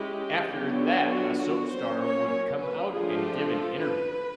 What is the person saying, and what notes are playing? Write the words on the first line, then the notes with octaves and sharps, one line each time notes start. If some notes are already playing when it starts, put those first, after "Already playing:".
After that a soap star would come out and give an interview.
Already playing: G#3 C#4 E4 G4
D3 F#3 B3 D4 F4
F#4
F#4
F#3 A#3 C#4 C5
C#5
B4
F3 A3 D4 F4 G#4
G4
A4
B4